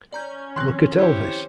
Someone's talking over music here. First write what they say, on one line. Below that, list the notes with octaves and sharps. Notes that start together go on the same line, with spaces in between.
Look at Elvis.
C#4 D5 A#5 G6
D#3 F3 C4 C6 F#6
E4 G4 C5 C#5